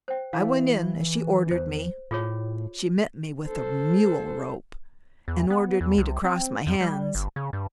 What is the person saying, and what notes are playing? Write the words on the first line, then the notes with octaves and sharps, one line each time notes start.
I went in as she ordered me; she met me with a mule-rope, and ordered me to cross my hands.
C5 G5
E3 F5
E2 C5
A2 F4 G#4 C#5
A4 C5
E2
B3
E2
C2
C4
F2
G3
G1
C#3
G2